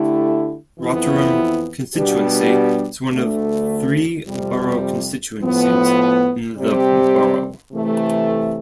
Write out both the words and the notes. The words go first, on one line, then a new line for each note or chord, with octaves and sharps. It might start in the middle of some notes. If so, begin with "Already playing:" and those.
Rotherham constituency is one of three borough constituencies in the borough.
Already playing: D3 A3 E4 G4
F2 E3 B3 E4
B2 G3 B3 D4 G4
D2 D3 A3
F2 C3 G3
A2 F3 B3
C3 G3 C4 G4
C3 E3 A3